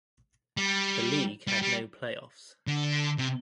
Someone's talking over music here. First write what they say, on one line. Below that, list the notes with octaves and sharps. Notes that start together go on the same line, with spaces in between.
The league had no playoffs.
G3
G3
G3
D3
C3